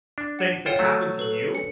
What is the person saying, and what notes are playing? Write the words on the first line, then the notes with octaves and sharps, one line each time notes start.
things that happen to you
D4
F#5 E7
F4 C#5 F#5 G5 E7
F#3 A3
A4 B4
C#7